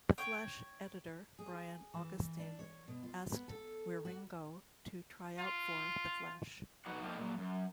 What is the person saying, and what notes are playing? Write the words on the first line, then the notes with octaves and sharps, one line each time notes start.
"The Flash" editor Brian Augustyn asked Wieringo to try out for "The Flash".
C#5 G5
G#4
E3
E3
D4
C#5
B2
F4
B3
A4
F#4
F4
F2 D#4 F#4 B4 F#5
D3 F3 A#3 C4 D4 D#4
A#2 F#3
F#2